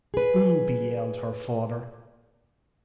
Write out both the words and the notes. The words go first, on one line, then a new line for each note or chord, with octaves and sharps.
"Booby!" yelled her father.
G#4 B4